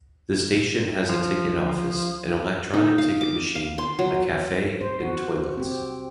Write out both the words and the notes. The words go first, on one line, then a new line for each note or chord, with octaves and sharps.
The station has a ticket office, an electronic ticket machine, a cafe and toilets.
F3
D#4
F5
D6
F5
C6
F#3
C5
F#4
C4 G4